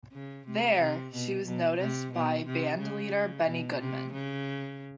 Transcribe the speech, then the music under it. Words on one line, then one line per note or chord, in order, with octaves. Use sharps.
There, she was noticed by bandleader Benny Goodman.
C#3
C3
C3
B2
B2
C3
B2
C3
C#3
B2
C3
C#3